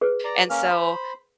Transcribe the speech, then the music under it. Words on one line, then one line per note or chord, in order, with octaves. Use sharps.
and so,
G#4 B4
D5 A#5
A#3 C#4 F6
C5 B5